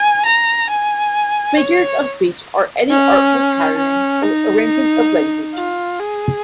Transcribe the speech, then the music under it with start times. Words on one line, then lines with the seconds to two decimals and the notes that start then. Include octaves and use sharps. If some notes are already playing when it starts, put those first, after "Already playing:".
Figures of speech are any artful patterning or arrangement of language.
Already playing: G#5
0.25 A#5
0.70 G#5
1.58 C#5
2.90 C#4
3.78 C#4
4.22 D#4
5.55 F4
6.00 G#4